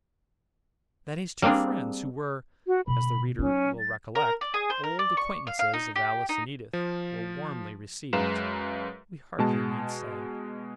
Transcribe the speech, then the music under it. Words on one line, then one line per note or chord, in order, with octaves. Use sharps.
That his two friends, who were, as the reader will recollect, old acquaintances of Alice and Edith, were warmly received, we hardly need say.
G3 A#3 C4 D4 G#4
F#4
B2 D3 B5
F#3 C#4 D#4
A6
A#4
D5
G#4
C5
A#4
D5
C#6
F5
F5
D#4
G4
D#4
F3
F#2 G#3 B4 F5 A#5 E7
B2 G#3 A5